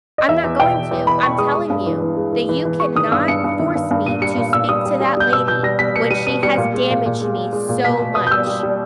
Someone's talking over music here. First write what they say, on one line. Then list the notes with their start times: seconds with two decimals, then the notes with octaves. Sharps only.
I'm not going to, I'm telling you that you cannot force me to speak to that lady when she has damaged me so much,
0.18 D#5
0.28 E2 E5
0.44 E2
0.60 B2 G5
0.76 E2
0.91 E2
1.07 E2 B5
1.23 B2 C#6
1.38 G#3 D#6
1.55 G#3
1.70 G2
1.86 E3
2.02 E3
2.17 G#3
2.33 E3
2.49 E3
2.65 E3
2.80 G#3 C#6
2.96 D#3 D#6
3.12 G2 E6
3.28 G2 C#7
3.44 G2
3.60 D#3
3.75 G2
3.91 G2
4.06 A#2 D#7
4.22 G3 C#7
4.37 A#2
4.53 A#2 E6
4.69 G3 D#6
4.86 G3
5.00 G3
5.17 G3 G6
5.33 B2 E6
5.47 B2 G6
5.63 G3 A#6
5.79 G3 B6
5.96 B2 C#7
6.11 G3 D#7
6.27 B2 D#7
6.43 G3 C#7
6.58 A#2
6.74 G#3
6.90 A#2
7.06 A#2
7.22 G#3
7.37 G#3
7.53 G#3
7.69 A#2
7.84 B2 B6
8.00 B2
8.15 B2 D#6
8.27 G6
8.31 G3 E6
8.47 G3
8.63 G3